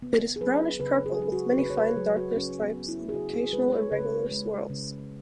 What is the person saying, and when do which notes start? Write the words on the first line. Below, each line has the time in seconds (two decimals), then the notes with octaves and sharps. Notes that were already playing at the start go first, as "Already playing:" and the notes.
It is brownish-purple with many fine darker stripes and occasional irregular swirls.
0.02 C#3 B3
0.36 G#4
0.41 F#3 B4
0.80 C#3 B4
1.06 G#4
1.19 F#3 G#4
1.32 F#4
1.58 C#3 B4
1.70 C#5
1.77 B4
1.96 F#3 G#4
2.17 F#4
2.36 C#3 C#4
2.62 B3
2.75 F#3
2.88 E4
3.09 G#4
3.14 C#3 F#4
3.34 G#4
3.53 G#3 B4
3.72 C#5
3.92 C#3 B4
4.31 G#3
4.70 C#3